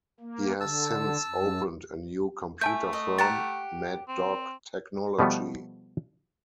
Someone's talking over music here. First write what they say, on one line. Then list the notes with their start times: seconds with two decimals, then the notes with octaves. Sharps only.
He has since opened a new computer firm, Mad Dog Technology.
0.20 A#3
0.61 D3 A5 E6
1.26 F#2
2.61 A3 E5 G#5 A5 G6
2.93 D#5
3.18 G4 F#5 A#5 A6
4.08 C4
5.19 B2 F3 G3 A3 B3